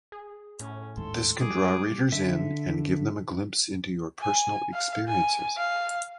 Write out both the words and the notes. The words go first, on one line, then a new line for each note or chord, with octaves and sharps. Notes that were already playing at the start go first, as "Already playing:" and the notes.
This can draw readers in and give them a glimpse into your personal experiences.
G#4
A2 C#4
D#2 G#2 A4 C6
G3 G#4 D6
D3 E5
G#5
F5
G#5
F5